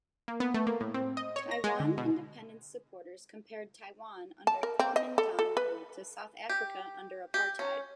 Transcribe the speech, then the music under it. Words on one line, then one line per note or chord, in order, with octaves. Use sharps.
Taiwan Independence supporters compared Taiwan under Kuomintang rule to South Africa under apartheid.
A#3
B3
A3
A#3
A2
C4
D#5
C#5
A#6
G#3
D3
B2
A5
A#4
C4
D#5
A4
A4
B4
G4
G4
C#4